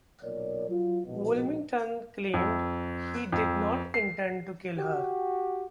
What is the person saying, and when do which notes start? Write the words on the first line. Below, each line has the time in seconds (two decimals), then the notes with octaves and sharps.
Woolmington claimed he did not intend to kill her.
0.22 B1 A#2 A#4 C#5 D5
0.69 F#3 F4
1.05 A#1 G#2 B2
2.34 F2
3.32 F2
3.94 C7
4.78 F#4 G4